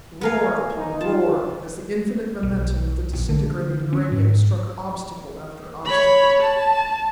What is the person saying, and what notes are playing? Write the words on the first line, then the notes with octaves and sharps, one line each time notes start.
Roar upon roar, as the infinite momentum of the disintegrating uranium struck obstacle after obstacle.
B3 A#4 F5 G#5
D#4
F4 A5
B1
A#1
D3
C#4
G#2
C#5 B5
A5